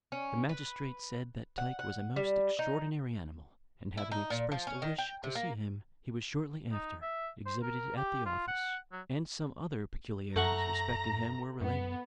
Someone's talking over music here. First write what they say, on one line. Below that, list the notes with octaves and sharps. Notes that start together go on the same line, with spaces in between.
The magistrate said that Tyke was a most extraordinary animal; and having expressed a wish to see him, he was shortly after exhibited at the office, and some other peculiarities respecting him were related.
C#4
B4
F#5
F#5
G3
D#4
E4
D#4
A#2
F3
C#4
D#3
G5
C3
A#3
D#4
E5
C5
A#4
G4
F4
F#5
F#3
F#2 A3 F#5 A#5 C#6 A#6
F#2 B3